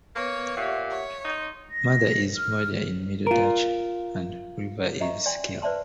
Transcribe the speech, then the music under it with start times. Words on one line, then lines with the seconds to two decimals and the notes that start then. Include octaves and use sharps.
Mother is moeder in Middle Dutch, and river is Kille.
0.16 A#3 B3 B4 C#5
0.57 A#2 G4 E5 F#5
0.90 C#5
1.25 D#4 C6
1.70 A#6
2.36 F6
3.27 F4 A#4
5.01 D#5 E5 A#5 C#6
5.26 D5 G5 G#5 C6
5.62 B4 C5 D5 E5 A5 C6